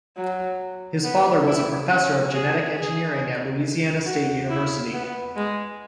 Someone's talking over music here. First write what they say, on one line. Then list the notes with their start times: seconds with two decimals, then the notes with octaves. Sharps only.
His father was a professor of genetic engineering at Louisiana State University.
0.17 F#3
1.04 B3
1.47 E4
1.90 C#4
2.33 G#4
2.76 G#4
4.06 F#4
4.49 E4
4.93 B3
5.36 G#3